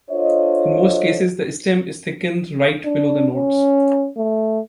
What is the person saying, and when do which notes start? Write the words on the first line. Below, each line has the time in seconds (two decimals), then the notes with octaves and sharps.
In most cases the stem is thickened right below the nodes.
0.11 D4 F4 A4 C5 C#5 D#5
2.85 D4
3.35 C#4
4.17 A3